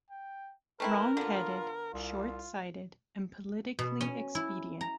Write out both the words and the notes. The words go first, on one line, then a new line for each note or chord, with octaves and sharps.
Wrongheaded, shortsighted, and politically expedient.
G5
A3 C4 E4 A#4 B4
D3 B3 F4
C2 F4
B2
C#4
E4
A#5